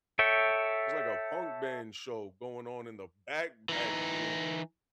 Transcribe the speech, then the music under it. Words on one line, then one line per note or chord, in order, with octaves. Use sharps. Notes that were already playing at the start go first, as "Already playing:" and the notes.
there's, like, a punk band show going on in the back, back room,
A4 C#5 E5 G5
E3 D#4